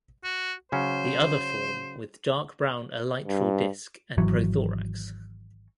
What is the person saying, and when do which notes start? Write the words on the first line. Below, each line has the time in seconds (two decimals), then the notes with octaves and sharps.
The other form with dark brown elytral disc and prothorax.
0.24 F#4
0.72 C#3 F#3 C#4 C5
3.28 G2
4.18 G#1 E3 F#3